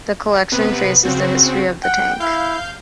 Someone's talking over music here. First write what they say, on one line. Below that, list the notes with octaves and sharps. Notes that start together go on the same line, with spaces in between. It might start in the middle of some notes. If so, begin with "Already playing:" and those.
The collection traces the history of the tank.
C3 B3 B4
C#3 C4 F#4
F#5 G5
E4 F5 G6